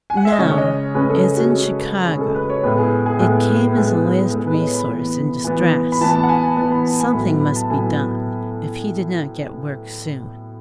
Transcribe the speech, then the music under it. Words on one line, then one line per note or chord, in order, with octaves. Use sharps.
Now, as in Chicago, it came as a last resource in distress. Something must be done if he did not get work soon.
G#5
F#5
E5
D#5
C#3 G#3 C#4 C#5
C#5
D#5
C#3 G#3 C#4 B4
A4
G#4
F#4
C#3 G#3 C#4
C#3 G#3 C#4 G#4
A4
B4
C#5
A2 G#3 B3 B4
G#4
G#4
A2 G#3 B3
A2 G#3 B3
A2 G#3 B3 G#4
B4
D#5
C#5
B5
E3 B3
E3 B3
B5
E3 B3 A5
A5
F#5
G#5
A5
E3 B3 A5
B5
A5
G#5
A2 F#3 B3 B5
B5
A5
A2 F#3 B3 G#5